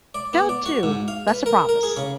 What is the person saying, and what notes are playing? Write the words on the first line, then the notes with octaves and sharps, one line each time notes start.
Y'all too, that's a promise.
D5
B3
D5
F#4
G#2
F5
B4
A#4
A#4
G#4
C#3